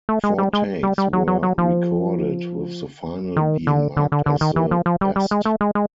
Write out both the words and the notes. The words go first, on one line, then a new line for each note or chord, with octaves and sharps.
Four takes were recorded with the final being marked as the best.
A3
G#3
G3
G#3
G3
G3
F#3
F#3
F#3
F3
D#3
D3
D3
D3
D3
D#3
E3
F3
F3
G3
G3
G#3
A3
G#3
G#3